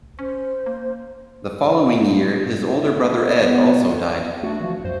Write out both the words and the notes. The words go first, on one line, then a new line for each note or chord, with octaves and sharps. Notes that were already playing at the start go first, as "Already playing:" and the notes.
The following year his older brother Ed also died.
C#4 C5
A#3
E4
B3
A3 D4 F#4
E3 F3
F#2 C5